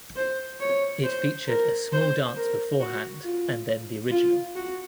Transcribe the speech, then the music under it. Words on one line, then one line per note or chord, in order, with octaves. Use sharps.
It featured a small dance before hand and then the original.
C5
C#5
C5
A#4
C5
A#4
F#4
F4
F4
F#4